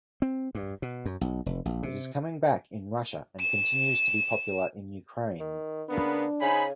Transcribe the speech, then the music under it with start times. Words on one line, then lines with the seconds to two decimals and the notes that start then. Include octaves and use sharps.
It is coming back in Russia and continues to be popular in Ukraine.
0.22 C4
0.55 G2
0.82 B2
1.06 F#2
1.21 B1
1.46 F1
1.65 A#1
1.83 C3
3.41 E7
5.40 D#3
5.89 C#3 A#3 B3 D4 B4
6.41 C#3 D#4 C5 G#5 B5